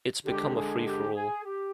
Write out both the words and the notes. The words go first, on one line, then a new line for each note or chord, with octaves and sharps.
It's become a free-for-all.
D3 G#3 D4 G4
G#4
G4
G#4
G4